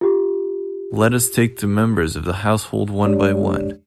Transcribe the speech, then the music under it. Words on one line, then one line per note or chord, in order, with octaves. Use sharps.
Let us take the members of the household one by one.
F4 G4
G#3 D4 G4 C#5 D5